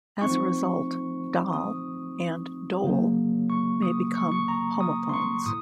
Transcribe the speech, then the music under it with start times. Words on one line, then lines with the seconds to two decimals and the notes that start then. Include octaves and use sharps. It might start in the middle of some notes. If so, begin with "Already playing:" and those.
As a result, "doll" and "dole" may become homophones.
0.21 F3 A3 C4 D#4 C#6
1.53 D#6
2.84 C#3 F#3 A#3
3.50 C#6
3.82 D#6
4.15 C#6
4.32 C#6
4.48 A#5
4.81 D#6
5.09 C6
5.14 C#6
5.46 A2 D#6